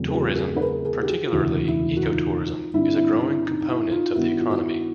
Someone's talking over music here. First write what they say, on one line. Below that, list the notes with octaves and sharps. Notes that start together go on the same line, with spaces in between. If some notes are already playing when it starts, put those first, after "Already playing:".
Tourism, particularly ecotourism, is a growing component of the economy.
Already playing: E2 C#3 F#3 A3 C4
G#4
F4 G4
A4
F#4 G#4
B4
G#4 A#4
G#4 A#4
G4
F#4 G#4
F4
E1 D2 C#3 E3 E4 F#4
E4
F#4
D#4 F4
G2 D3 G3 C4 E4
E4
E4
D#4
D#4
E4
D#4 F4
G2 D#3 G3 B3 E4 F#4
F4
E4 F#4